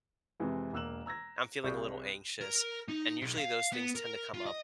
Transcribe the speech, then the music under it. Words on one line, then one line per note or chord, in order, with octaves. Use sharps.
I'm feeling a little anxious, and, usually, those things tend to come up
F2 C3 E3 G#3
E1 A#3 E6 F#6 E7 F#7
A#5 E6 G#6 A#6
C2 G#4 D5 C#6 G6
A#4
D#4
B1
F5
B3
A#4
F4
D#5